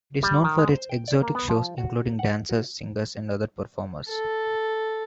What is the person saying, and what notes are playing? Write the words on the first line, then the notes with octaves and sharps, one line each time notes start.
It is known for its exotic shows including dancers, singers, and other performers.
G3
D#3
G#3
C5
G5
D5
A#3
B3
F3
F#4
F#5
F#4
A4